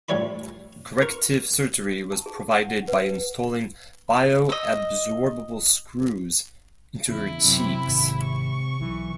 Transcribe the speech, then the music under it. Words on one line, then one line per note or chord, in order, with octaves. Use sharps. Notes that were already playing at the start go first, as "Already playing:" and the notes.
Corrective surgery was provided by installing bioabsorbable screws into her cheeks.
C#2 A2 G3 C#5 D5 B5
A#4 C#6
A5
G#4
F#5
B4
D#5 E6
E2 C#3 E3 E4
F#2 C3
G#1
C#6
B1 E3